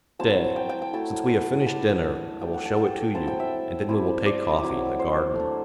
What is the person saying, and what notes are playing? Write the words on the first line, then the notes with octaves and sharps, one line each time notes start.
Stay, since we have finished dinner, I will show it to you, and then we will take coffee in the garden.
F#3 C4 E4 A5
G5
G5
G5
F#3 A3 E4 A5
G3 B3 D4 A5
F#3 A3 D4 G5
F#5
A5
G5
F#3 C4 E4 A5
G5
E5
G3 C4 E4
D5
F#3 C4 E4
C5
A3 D4